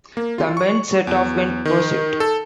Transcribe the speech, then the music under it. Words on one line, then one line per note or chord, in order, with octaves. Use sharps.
The men set off in pursuit.
A#3
F4
C#6
E2
D#3
A4